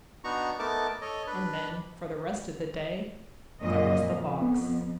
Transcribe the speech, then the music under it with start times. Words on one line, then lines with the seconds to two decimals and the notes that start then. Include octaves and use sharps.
And then, for the rest of the day, there was the box!
0.24 B3 D4 D#4 F#4 A#5 C#6
0.59 A3 B3 D#4 A#4 A5 D6
1.01 A4 C#5 D#5
1.27 D4 B4
3.61 F#2 A#2 D#5
4.03 F2
4.42 B3